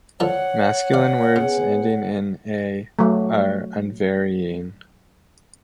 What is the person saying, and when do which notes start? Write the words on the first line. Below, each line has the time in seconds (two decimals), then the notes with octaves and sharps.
Masculine words ending in "-a" are unvarying.
0.20 D3 F3 C#5 F#5 A5
0.94 D5 F5
1.36 C#3 B3 G#4
2.99 F#3 A3